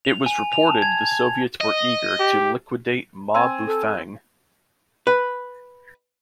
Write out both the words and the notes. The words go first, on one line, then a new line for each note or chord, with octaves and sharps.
It was reported the Soviets were eager to "liquidate" Ma Bufang.
F7
G#5
F7
A5
G#6
G#6
D#5
G4
C4 G#5
A4
B4